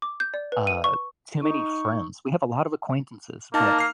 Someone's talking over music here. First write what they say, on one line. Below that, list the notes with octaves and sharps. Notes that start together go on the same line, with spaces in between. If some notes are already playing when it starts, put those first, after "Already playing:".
uh, too many friends. We have a lot of acquaintances, but
D6
G6
D5
B4
D#7
C#6
D#4 C#6
A#3 D#4 A5
F6 C7